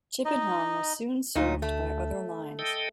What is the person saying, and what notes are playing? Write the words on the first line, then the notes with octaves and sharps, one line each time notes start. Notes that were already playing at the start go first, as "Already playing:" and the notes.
Chippenham was soon served by other lines.
D#4 D#5
D2 A#2 D#4
A3
A4 D#5 G5